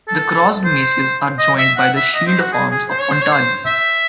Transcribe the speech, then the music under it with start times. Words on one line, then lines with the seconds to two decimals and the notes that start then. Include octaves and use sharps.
The crossed Maces are joined by the shield of arms of Ontario.
0.08 A4
0.64 C5
1.39 D#5
1.59 E5
1.78 F#5
1.96 E5
2.14 D#5
2.27 C5
2.39 F#4
2.53 G#4
2.71 G#4
2.90 C5
3.00 C#5
3.11 C5
3.22 C#5
3.32 C5
3.66 E5